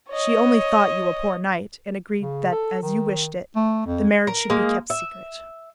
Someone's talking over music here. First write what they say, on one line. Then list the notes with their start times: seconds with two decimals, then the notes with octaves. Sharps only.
She only thought you a poor knight, and agreed that as you wished it, the marriage should be kept secret.
0.10 C#5 D#5
2.20 C#3
2.52 A4
2.82 D#3
3.56 A3
3.86 F2
4.27 A#4
4.50 G#3 A#3
4.90 E5